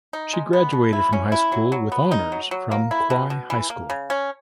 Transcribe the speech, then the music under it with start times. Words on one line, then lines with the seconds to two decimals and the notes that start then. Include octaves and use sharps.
She graduated from high school with honors from Kauai High School.
0.13 D#4
0.33 G#3
0.53 B3
0.73 B2
0.93 E4
1.13 C#4
1.32 E4
1.52 F#3
1.72 F#3
1.92 B3
2.11 D#4
2.32 F#3
2.51 F#3
2.71 A#3
2.91 E4
3.10 B2
3.30 B2
3.50 E3
3.70 A#3
3.90 C#3
4.10 C#4